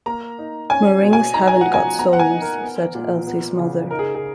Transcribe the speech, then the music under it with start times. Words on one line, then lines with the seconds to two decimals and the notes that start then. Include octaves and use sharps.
"Meringues haven't got souls," said Elsie's mother.
0.06 A#3 A#5
0.39 D#4
0.70 C#4 G#5
1.02 B2
1.13 G#5
1.34 D#4 A#5
1.47 G#5
1.61 F3 F#5
1.74 G#5
1.99 B3 A#5
2.13 F#5
2.19 G#5
2.30 D#4
2.42 A#4
2.63 B3
2.95 A#2
3.27 B3
3.59 C#3
3.91 D#4 A#4
3.99 G#4
4.15 G#4